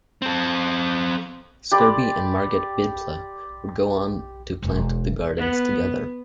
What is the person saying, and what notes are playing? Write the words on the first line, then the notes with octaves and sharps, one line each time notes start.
Scrubey and Margaret Biddulph would go on to plant the gardens together.
C4 A4
G4 D5 B5 C6
E1
B3